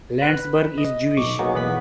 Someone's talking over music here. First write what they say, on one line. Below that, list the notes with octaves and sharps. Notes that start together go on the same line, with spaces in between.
Landsberg is Jewish.
B4 B5 F#6
D#5
B1 C#6 D6
F#3 A#3 B3 D#4 F#4 G#4
B1 E2 B3 B4 B5 B6